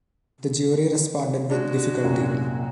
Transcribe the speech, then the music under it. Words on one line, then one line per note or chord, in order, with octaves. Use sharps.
The jury responded with difficulty.
G#3 D4 F#4
C2 F#2 A#2